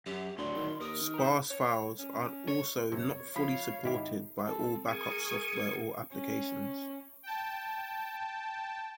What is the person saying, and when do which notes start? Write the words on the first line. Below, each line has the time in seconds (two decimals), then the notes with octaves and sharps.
Sparse files are also not fully supported by all backup software or applications.
0.06 F#2 G4
0.38 D2 A2 F#3 D5 C6
0.56 D#3
0.81 D#2 A#4 D#6
1.01 D#3
1.14 C5 A#5
1.50 C#5
1.99 C#4
2.48 C#5
2.92 F#2 C3 C#5
3.36 F3 C#5 F5 B5
3.84 G#1 D#4 E4 G4
4.45 C4 A4
4.88 G#4 A#4 C#6 D#6 G#6
6.14 C#4
7.23 G5 A5